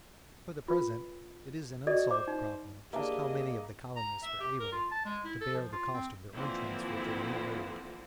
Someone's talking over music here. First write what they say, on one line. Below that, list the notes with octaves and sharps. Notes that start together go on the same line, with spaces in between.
For the present it is an unsolved problem just how many of the colonists were able to bear the cost of their own transfer to the New World.
F4 B4
F#4 A4 D5 D#5
C5 D6
D#4
A#3 D4 G4 G#4 D#5 E5 A5
A#5
E5
G4
A#4
F4
A5
G#3
E4
A4
F3
F4
C4
D3 E3 F3 A#3 C4 E4